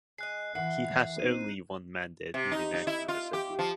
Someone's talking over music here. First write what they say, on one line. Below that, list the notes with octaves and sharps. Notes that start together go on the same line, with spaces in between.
He has only one mandate in the National Assembly.
G#3 D#5 F#6 C7
E3 E5 F#5 C7
C4 D#4 D#7
C3
D#4
D#4
E4
F4
G4
F3